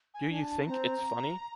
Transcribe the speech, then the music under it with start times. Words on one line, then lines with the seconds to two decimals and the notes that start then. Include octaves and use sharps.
Do you think it's funny?
0.14 G#5
0.28 D4 G#5
0.41 A5
0.67 C4 A#5